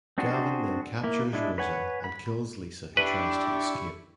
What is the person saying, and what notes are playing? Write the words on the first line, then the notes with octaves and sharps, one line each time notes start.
Gavin then captures Rosa and kills Lisa who tries to escape.
C4 D4 F#4 G#4 C5
A#3 E4
G#3 D4 E4
B4 C#5 F#5 G#5
B5
D4 E4 G4 B4 E5 C#6